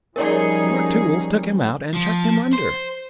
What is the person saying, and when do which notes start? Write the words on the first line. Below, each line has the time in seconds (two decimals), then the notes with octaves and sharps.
Your tools took him out and chucked him under.
0.16 F3 G3 C#4 D#4 G#4 A#4 C#5 D5
1.94 F3
2.53 C5